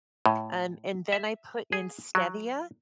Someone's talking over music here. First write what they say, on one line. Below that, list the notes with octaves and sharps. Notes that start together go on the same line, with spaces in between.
um, and then I put in Stevia,
A2
E5
G#4
F#3